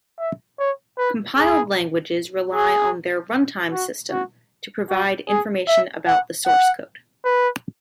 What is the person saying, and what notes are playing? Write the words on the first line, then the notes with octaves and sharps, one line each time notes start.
Compiled languages rely on their runtime system to provide information about the source code.
E5
C#5
B4
G#4
G#4
F#4
F#4
F#4
G#4
E5
F#5
F#5
B4